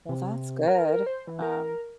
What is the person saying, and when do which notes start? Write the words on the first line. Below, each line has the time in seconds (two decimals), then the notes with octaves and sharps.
Well, that's good, um
0.09 C3
0.68 A#4
1.06 C5
1.27 E3
1.42 A#4